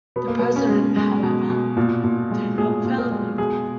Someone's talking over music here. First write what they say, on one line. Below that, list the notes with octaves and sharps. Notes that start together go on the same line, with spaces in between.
The President, however, did not fail them.
B2 B3
A#3
B2 B3
C#4
G#3
G#3
B2
B2
A#2
A#2
G#3
A#2 G#4
A#2
A#4
G#3
B2 G#4